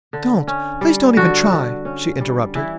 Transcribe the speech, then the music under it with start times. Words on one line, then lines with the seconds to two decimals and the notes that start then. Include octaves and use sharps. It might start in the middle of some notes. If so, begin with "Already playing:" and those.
"Don't--please don't even try," she interrupted.
0.13 D3
0.48 C#4
0.81 G3
1.17 D3 F#4
1.52 D3
1.85 C#4
2.21 G3
2.55 E3 E4